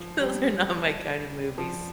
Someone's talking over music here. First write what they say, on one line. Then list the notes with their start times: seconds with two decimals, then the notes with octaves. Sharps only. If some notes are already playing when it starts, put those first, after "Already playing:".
Those are not my kind of movies.
Already playing: F3
0.21 G3
1.58 F3